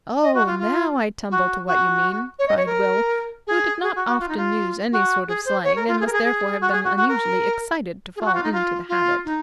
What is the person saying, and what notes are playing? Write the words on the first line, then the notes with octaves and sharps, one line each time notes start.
"Oh! now I tumble to what you mean," cried Will, who did not often use any sort of slang, and must therefore have been unusually excited to fall into the habit.
D#5
F#4
F4
F4
F#4
F#4
C#5
D#5
C#5
A#4
G#4
G#4
F#4
F#4
F4
D#4
F4
F#4
G#4
C5
C#5
A#4
F4
G#4
A#4
G#4
G#4
F#4
G#4
F#4
F#4
A#4
G#4
F4
F#4
F4
D#4
F4
F4
D#4